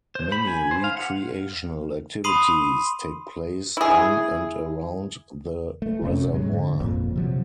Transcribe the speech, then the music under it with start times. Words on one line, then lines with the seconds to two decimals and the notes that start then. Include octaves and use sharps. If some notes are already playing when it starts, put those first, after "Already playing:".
Many recreational activities take place on and around the reservoir.
0.15 C5
0.32 B5
0.47 G#5
0.71 C5
0.84 F5
0.97 F#5
2.24 B5 C6 D#6 C7 D#7
3.77 E4 G#4
5.82 A3
6.02 F1 C3 A3 C#4
6.32 G#2 F#3 G#3
6.53 D3
6.80 G1 F2 A#2
7.16 C3 F3 F#3